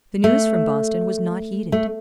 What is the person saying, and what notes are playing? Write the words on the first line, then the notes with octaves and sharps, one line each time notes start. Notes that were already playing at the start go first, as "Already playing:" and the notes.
The news from Boston was not heeded.
A3
A3